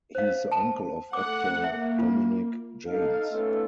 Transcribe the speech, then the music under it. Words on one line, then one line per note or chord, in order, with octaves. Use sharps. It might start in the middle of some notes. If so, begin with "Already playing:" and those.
He is the uncle of actor Dominic Janes.
C5 F5
A5
A3 F#5 D6
A#3 E5
F4
D#4 A4 F5
A3 B3 C#4 D#4 F4 A4